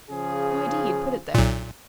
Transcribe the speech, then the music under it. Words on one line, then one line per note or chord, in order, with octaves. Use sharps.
No idea you'd put it there.
C#3 F3 G#4
B1 A#2